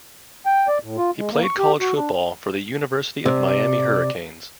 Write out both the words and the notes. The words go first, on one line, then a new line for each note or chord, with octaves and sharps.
He played college football for the University of Miami Hurricanes.
G5
D5
A2
F4
G#3
A#3
C#6
G4
F#4
D4
C3 D5